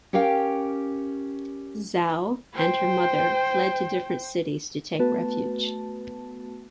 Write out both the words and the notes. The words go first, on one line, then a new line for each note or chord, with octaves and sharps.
Zhao and her mother fled to different cities to take refuge.
C#4 G4 A#4 F5 G5
C5 G5
A3 B3 F#4 B4 A5